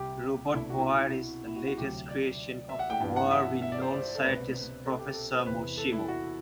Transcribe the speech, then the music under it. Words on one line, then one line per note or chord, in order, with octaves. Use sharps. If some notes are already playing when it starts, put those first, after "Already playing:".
Robotboy is the latest creation of the world-renowned scientist Professor Moshimo.
Already playing: C2 C3 G3 G4
C2 B2 A3 D4 E4
F#4
E4
E4
E4
F#4
F#4
D2 C3 F#3 G4
D5
E5
F#5
G5
G2 E3 B3 D4 G5
F#5
E5
E5
D5
C5
D5
A4
C2 B2 A3 C4 B4
A4
G4
A4
C5
E2 C3 E3 B4
A4
E4
F#4